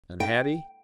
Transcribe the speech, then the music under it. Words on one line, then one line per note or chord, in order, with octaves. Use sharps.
And Hattie?
G5